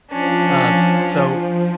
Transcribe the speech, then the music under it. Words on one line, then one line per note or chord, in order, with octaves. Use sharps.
Uh, so,
F3 C#4 D4